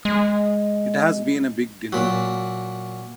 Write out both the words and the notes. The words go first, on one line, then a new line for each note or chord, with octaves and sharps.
It has been a big dinner.
G#3
A#2 F#3